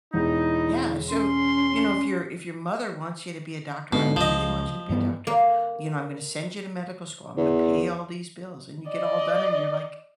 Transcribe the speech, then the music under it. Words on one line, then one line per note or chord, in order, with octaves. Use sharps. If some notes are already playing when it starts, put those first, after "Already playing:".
Yeah, so, you know, if your if your mother wants you to be a doctor, "I really want you to be a doctor," you know, "I'm gonna send you to medical school, I'm gonna pay all these bills," and you get all done and you're like,
E1 D#4 E4
C#4 C6
G#2 B2 D3
C#2 F3 D#5
G2 E3 B3
A#3
E2
D5 D#5